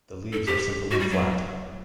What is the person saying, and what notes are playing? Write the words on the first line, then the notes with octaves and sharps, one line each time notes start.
The leaves are simple and flat.
A4
G4
F#4
G3
F#3